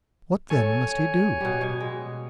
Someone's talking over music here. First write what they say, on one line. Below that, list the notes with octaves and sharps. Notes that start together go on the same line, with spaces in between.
What then must he do?
C#4 A4 C#5 G#5
B2 G3
B2
G#3